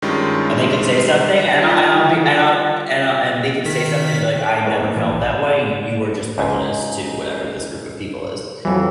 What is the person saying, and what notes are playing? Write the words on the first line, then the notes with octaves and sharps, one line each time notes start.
and they can say something, and I'll and I'll be and I'll and I and they could say something and be like, "I never felt that way, you are just prejudiced to whatever this group of people is,"
G2 D#3 G3 G#3 C#4 F4
G3 F4
D#3 B6
G#3 A#4 B4 C#5
A#3
A2 E3 F3 G#3 A#3
A#1
C#2 G#2
F2 E3 F#3